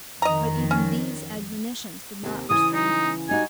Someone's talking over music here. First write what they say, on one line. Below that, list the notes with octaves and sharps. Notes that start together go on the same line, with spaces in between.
But even these admonitions did not restrain him.
F2 D#3 D#5 A#5
C#4
D#2 C3
C#3 E3 G#5 D#6
D#4
G3 D#4 F#4 G#5